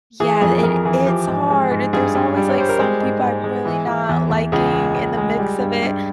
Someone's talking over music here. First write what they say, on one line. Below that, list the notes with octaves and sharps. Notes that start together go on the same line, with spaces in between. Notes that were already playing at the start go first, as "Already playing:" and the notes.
Yeah, th it it's hard, it there's always, like, some people I'm really not liking in the mix of it.
E3 G#4
F2 G#4
G#4
F2 A#4
E3 G#4
F3 G4
G#2
G#3
G#2
G2 G#4
G2
G3
C#5
G3 C5
A#4
G#3 C5
G#2
G#2
G#3
E3
E3
E2
E2
C#2 G#4
G#3
C#2
G#3
G3
G2
G2